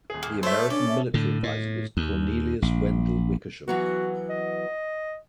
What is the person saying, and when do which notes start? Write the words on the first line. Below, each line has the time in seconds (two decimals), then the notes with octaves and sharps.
The American military advisor was Cornelius Wendell Wickersham.
0.10 D#1 G#4
0.23 A#3
0.43 A3 A4 C5 C#5 E5
0.70 C#4 D4 A4 D5
0.88 E5
1.14 A2 D3
1.43 A2
1.97 D#2
2.62 A#1
3.68 E3 F#3 B3 F#4
4.30 D#5